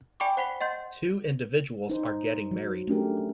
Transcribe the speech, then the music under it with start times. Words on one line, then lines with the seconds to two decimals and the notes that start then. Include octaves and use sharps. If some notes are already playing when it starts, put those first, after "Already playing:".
Two individuals are getting married.
0.20 D5 G5 G#5 B5 C#6 D6
0.37 C5 F#5 B5 B6 G7
0.61 D#5 F#5 C6 G6
1.89 D#4 C5
2.51 F#3
2.88 A3 C#4 D4 G4 A#4